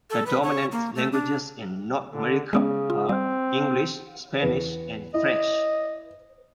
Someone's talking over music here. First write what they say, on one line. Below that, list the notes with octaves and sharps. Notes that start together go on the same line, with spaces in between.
The dominant languages in North America are English, Spanish, and French.
A4
B4
C#5
A#3
A3
D4
D3
C#3 G#3 B3 C#4
F4
G3 C4
E2 B3 B4
E4 D#5